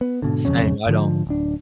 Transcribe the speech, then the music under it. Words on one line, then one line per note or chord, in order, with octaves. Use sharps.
Saying I don't
B3
G#2 B2 D3
E1 F2 C#3 C#4
G#2 D3 F3
D1 D4